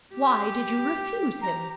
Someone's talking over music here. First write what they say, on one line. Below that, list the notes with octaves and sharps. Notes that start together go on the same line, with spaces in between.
"Why did you refuse him?"
G4
A#5